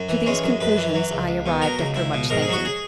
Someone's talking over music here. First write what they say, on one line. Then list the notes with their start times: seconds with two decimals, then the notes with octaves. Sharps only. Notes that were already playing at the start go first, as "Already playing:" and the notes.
To these conclusions I arrived after much thinking.
Already playing: F#2
0.09 E3
0.26 G#3 C#4
0.43 F#2
0.60 F#2 B4
0.77 E3
0.94 F#3
1.11 C#2
1.28 C#2
1.46 B2
1.62 F#3 A#4
1.79 C#2
1.96 C#2 E4
2.14 B2
2.30 G#2 A#4
2.42 G#4
2.48 F#3 F#4
2.65 G#4